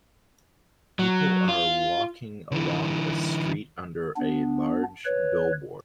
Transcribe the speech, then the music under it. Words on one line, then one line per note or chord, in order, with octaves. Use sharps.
People are walking along a street under a large billboard.
F#3
F4
D3 E3
B3 D4
B4 C#5